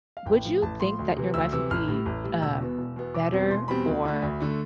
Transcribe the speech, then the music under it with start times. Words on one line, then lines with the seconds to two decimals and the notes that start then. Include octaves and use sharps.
would you think that your life would be, um, better or
0.17 F5
0.26 A1 G5
0.45 A2 F3
0.62 A1 A5
0.80 A2 F3 C6
0.99 D2
1.17 C3 E3
1.34 D2 E6
1.53 C3 E3 E6
1.71 A1 F6
1.88 A2 G3
2.06 A1
2.24 A2 G3
2.42 E1 E6
2.61 E2 B2 B3
2.78 E1
2.96 E2 B2 B3
3.14 E1 D6
3.32 E2 B2 G3 C4
3.50 E1 C6
3.68 E2 B2 G3 C4 B5
3.87 D2
4.05 D3 A3
4.22 D2
4.40 D3 A3